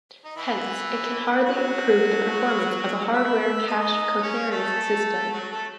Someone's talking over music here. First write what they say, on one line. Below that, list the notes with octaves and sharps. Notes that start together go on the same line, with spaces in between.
Hence it can hardly improve the performance of a hardware cache coherence system.
D#4
E3 E4
F#3 F#4
E4 E5
D#4 D#5
C#4 C#5
A3 A4
F#3 F#4
A3 A4